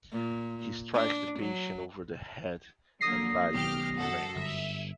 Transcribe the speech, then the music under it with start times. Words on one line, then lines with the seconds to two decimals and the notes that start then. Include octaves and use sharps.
He strikes the patient over the head and body with the branch.
0.11 A#2
0.94 D4
1.39 F#3
3.01 D3 F#3 A#3 D#6 A#6 C7
3.54 B1 D#3 B3 G4 F6
3.97 F#2 A4 F#5
4.36 G1 E5